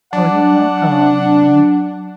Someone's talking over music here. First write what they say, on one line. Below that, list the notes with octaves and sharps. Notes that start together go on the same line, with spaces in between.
Oh, you're welcome.
F#3 D4 F#5